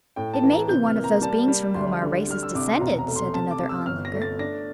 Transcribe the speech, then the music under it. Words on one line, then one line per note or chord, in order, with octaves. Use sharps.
"It may be one of those beings from whom our race is descended," said another onlooker.
A2 G5
A5
E3
A#5
C3 G6
F6
A#3
A#5
G3 A5
G3
D2 C6
D3
G3 F6
E6
C2 D6
C6
E1 A#5
A#5
A3
C6
C3 A5
D6
C3
E6
G1 F6
A#6
A3
A6
D4 A#6